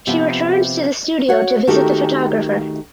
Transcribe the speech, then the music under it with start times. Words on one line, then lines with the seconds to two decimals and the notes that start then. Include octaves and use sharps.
She returns to the studio to visit the photographer.
0.07 C3 F3 B3
1.28 F#4 C#5 F#5
1.67 D#3 A3 F#4 G4 A#4 G5